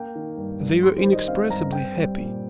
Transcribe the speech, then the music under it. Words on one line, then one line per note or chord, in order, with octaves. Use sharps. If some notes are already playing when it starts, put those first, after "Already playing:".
They were inexpressibly happy.
Already playing: A#3 G5
D#3
G2
G2
G3 C6
C5
D#3
D#5
C4 F5
G2 A#5
C4 G5
G3
A#2